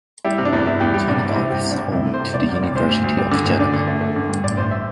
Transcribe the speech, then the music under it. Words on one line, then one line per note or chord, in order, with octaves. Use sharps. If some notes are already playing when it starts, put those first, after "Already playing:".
Geneva is home to the University of Geneva.
G3 E4
C3
D4
E2
E2 E4
E2 G4
G3
C2 D4
C2
E4
C3
C2 G4
C2
D4
C2
C2 E4
A3
C5
C3
C2 D5
C2
D5
C2
D2 C5
D2
D2
G3
D3
D2
D3 D5
D3
A3
A3
D3
G2
A1 D5
A1 C5
E5